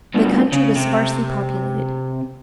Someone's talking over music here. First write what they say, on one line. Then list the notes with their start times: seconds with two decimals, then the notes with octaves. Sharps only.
The country was sparsely populated.
0.15 G2 B2
0.52 C#3
0.76 C3